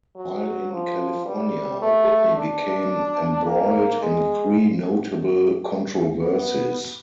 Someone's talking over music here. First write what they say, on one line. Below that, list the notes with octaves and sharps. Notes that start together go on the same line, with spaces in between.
While in California, Whitney became embroiled in three notable controversies.
F#3
F3
G3
A3
D4
A#3
G#3
B3